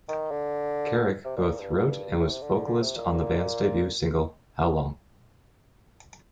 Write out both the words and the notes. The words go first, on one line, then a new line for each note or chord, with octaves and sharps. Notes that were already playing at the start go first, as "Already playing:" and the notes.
Carrack both wrote and was vocalist on the band's debut single How Long?
D#3
D3
C3
A#2
A#2
G2
A2
C3
D3
D3
D3
C3
A#2